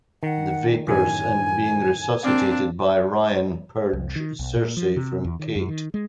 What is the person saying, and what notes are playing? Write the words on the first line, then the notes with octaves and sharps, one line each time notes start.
The vapors and being resuscitated by Ryan purge "Circe" from Kate.
D#3 F#5
F#2 A2 D#3 G#5
A#3 C4 D4 D5 F5
C2
D#3
B1
A#2
F3
C3
E2
D#3
F#2
D#3
G#3